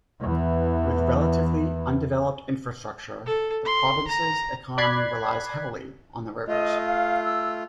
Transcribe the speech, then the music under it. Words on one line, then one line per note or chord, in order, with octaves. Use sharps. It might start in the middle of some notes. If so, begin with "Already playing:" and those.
With relatively undeveloped infrastructure, the province's economy relies heavily on the rivers.
E2 E3
A4
C6
A#5
D5 B5 F#6 G#6 C7
A3 F4 D#5
F5
E6